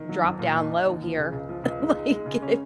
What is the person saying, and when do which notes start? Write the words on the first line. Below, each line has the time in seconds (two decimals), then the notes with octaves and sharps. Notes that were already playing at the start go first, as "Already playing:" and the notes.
"drop down low here." Like, if
Already playing: D#3
0.09 F#3
0.23 F2
0.39 A#2
0.55 D#4
0.70 D#4
0.87 D#2
1.02 F3
1.18 C#3
1.32 C#2
1.49 F3
1.64 C#2
1.80 G#3
1.95 D#4
2.10 G#3
2.26 C#3
2.42 C#4